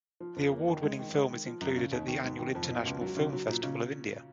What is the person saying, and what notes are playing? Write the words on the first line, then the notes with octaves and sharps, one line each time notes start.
The award winning film is included at the annual International Film Festival of India.
F3
F2
A#3
D#3
G#3
D#3
G#3
D#3
F3
F#2
C#3
D#2
D#3
G#2
D#3
F2
B2
C#2
F#3
C#3
F#3
A#2
C#3